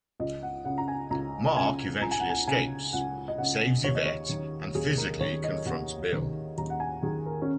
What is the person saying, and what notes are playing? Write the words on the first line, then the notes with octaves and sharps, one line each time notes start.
Mark eventually escapes, saves Yvette, and physically confronts Bill.
C#2 D#5
F#5
C#3 F#5
A#5
G#5
C#2 A#5
C#3 G#5
C#2 A#5
G#5
F#5
G#5
C#3 G#5
C#2 F#5
D#5
C#3 F#5
D#2 C#5
D#5
C#5
D#3
D#2 G#4
A#4
D#3 C#5
D#5
D#2 F#5
D#3
D#2 A#5
F#5
G#5
D#3 G#4
A#4
C#4